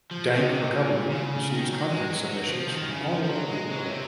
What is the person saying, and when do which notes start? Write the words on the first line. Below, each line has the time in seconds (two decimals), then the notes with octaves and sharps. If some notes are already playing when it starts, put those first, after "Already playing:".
Dank Recovery receives content submissions from all over the world.
0.11 F3
0.30 D#3
0.50 C3
0.71 A#2
1.10 C#3
1.50 D#3
1.71 F#3
1.90 G#3
2.10 F#3
2.30 F#3
2.50 F3
2.70 D#3
2.90 C#3
3.10 F3
3.23 F3
3.30 F#3
3.49 G#3
3.70 F#3
3.89 C3